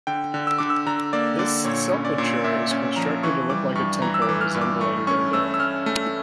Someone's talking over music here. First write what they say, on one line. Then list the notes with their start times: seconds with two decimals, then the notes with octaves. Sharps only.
This sepulchre is constructed to look like a temple, resembling Dendera.
0.07 D3 G5
0.34 D3
0.47 E6
0.58 D3 D6
0.70 E6
0.86 D3 A#5
1.13 A#3 D5
1.39 D3 D5
1.65 A#2 C#5
1.92 C#4
2.05 D5
2.18 A#2
2.44 A#2 E5
2.71 C#4
2.96 F3 A#5
3.23 E3 C#6
3.50 G3 D6
3.76 G2 C#6
4.02 E3 A#5
4.14 E6
4.22 D6
4.29 E3
4.41 F6
4.55 G2
4.61 D6
4.81 A3 C#6
5.07 C#4 C#6
5.33 A3 E6
5.54 E6
5.60 C#4 F6
5.86 A3